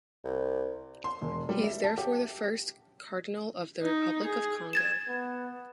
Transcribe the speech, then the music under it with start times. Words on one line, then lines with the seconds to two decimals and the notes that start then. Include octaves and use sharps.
He is therefore the first cardinal of the Republic of Congo.
0.24 C2
1.04 C6
1.22 E1
1.49 G3
1.63 E5
1.84 A5
1.98 G4
3.81 D#4
4.24 G#4
4.73 G#6 A6 E7
5.08 B3